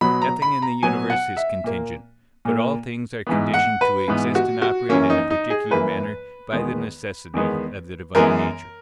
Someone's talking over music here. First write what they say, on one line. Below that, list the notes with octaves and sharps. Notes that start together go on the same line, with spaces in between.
Nothing in the universe is contingent, but all things are conditioned to exist and operate in a particular manner by the necessity of the divine nature.
B2 F#3 B3 B5
A#5
B5
A#5
B2 F#3 B3 G#5
F#5
E5
A#2 A#3
A#2 A#3
G#2 E3 B3
F#5
B4
G#2 E3 B3
F#4
F#4
F#2 E3 A#3 C#4
D#4
D#4
G#4
F#2 E3 A#3 B4
E2 D#3 G#3 B3
E2 D#3 G#3 B3
F#2 E3 G#3 B3 A#4